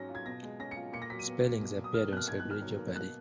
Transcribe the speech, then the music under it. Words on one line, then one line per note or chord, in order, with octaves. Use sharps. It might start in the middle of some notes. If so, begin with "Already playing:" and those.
Spellings appeared on Celebrity Jeopardy!
Already playing: G#2 F#3 C#4 A#6
F4
G#6
B2 A#6
G#3
C#4 A#6
C#7
F4
A#2 C#7
A#6
F#3 B6
D#7
B3
A#2
B2
F#3
D#6
A#3 F6
B2 F#6
F6
G#2 G#6
F#6
D#3
F6
F#3
A#3
B2 F#6